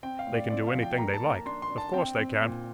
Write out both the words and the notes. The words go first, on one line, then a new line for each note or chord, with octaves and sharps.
They can do anything they like. Of course they can.
C4 G5
F5
A2
D5
C4 D5
F5
F3
G5
A#3 A#5
A5
A#3
A#5
D4 C6
C6
D4
A5
C4 G5
C4
A#2